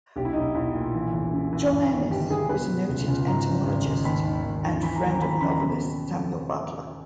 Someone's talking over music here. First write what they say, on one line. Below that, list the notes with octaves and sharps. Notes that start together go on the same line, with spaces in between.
John Enys was a noted entomologist, and friend of novelist Samuel Butler.
B1 G4
E4
B1 D#4
E4
B1 E4
A#2
E3
E1
C#3
E3
G2
D#3
G1 G4
G2 G#4
B2 B4
B2
C#2
C#2
G#2 A#5
G#1
G#1
G#2
D#2 B5
D#3
D#2
D#3
E3 B5
A#5
D#2
A#5
D#2 B5
A#5
C#3 B5
A#5
B2 B5